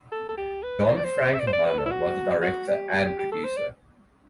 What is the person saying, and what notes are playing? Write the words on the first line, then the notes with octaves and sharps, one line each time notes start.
John Frankenheimer was the director and producer.
A4
A4
G4
B4
C5
D5
C5
E5
D5
C5
D5
B4
A4
E4
F#4
F#4
G4
F#4
G4
G4
G4
A4
C5
D5